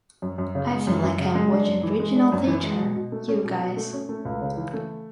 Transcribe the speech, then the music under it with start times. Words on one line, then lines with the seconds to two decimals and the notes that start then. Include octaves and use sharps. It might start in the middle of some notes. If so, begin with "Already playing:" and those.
I feel like I'm watching regional theatre, you guys.
0.22 F#2
0.38 F#2
0.55 C#3
0.71 G#3
0.87 F#2
1.03 F#2
1.19 C#3
1.35 G#3
1.51 D4
1.67 F#2
1.83 E3
2.00 G#3
2.16 D4
2.32 F#2
2.47 E3
2.64 G#3
2.80 B2
2.96 B2
3.12 A3
3.28 C#4
3.44 B2
3.60 B2
3.77 A3
3.93 C#4
4.09 A3
4.25 C#2
4.41 C#3
4.57 E3
4.73 A3